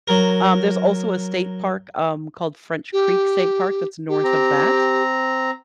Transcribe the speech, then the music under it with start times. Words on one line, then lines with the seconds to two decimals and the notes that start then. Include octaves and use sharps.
Um, there's also a state park, um, called French Creek State Park that's north of that.
0.08 F#3 A#4
2.93 G4
4.09 G4
4.24 C4 A#5